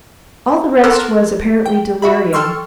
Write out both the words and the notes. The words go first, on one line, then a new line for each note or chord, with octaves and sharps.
All the rest was apparently delirium.
A4 A#4 C6 D6 F#6
G5
F#4 E5 B5
A4 G5 C6 C#6 E6 F6